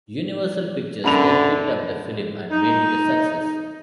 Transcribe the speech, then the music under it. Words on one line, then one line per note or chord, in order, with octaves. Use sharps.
Universal Pictures then picked up the film and made it a success.
F#2 D3 B5 F7
D#4